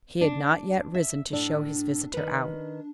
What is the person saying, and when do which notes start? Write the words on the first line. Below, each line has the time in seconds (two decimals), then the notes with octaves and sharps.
He had not yet risen to show his visitor out.
0.21 D4
0.95 E5
1.33 A2 D4
2.13 D#3 B4